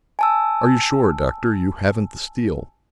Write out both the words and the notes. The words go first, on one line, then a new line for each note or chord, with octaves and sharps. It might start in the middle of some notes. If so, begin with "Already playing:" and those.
"Are you sure, Doctor, you haven't the steel?"
G#5 A5 E6